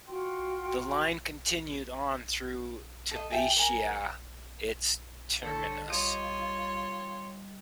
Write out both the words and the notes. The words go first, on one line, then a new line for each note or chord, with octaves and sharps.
The line continued on through to Bishia its terminus.
F4 F#4 G5 C6
A4 D#5
G4 E5 G#5 A5
A#4 G#5
D3 A4 C5 C#5 E6
G3 F4 G4 C#5 D#5 C6